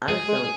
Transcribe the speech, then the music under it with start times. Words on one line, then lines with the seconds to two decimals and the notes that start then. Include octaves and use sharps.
I just don't
0.08 G#3 G#4
0.28 G#3